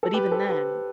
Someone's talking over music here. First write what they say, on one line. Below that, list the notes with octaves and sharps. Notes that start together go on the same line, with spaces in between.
But even then,
A4
G4 B4
A4 C5
G4 B4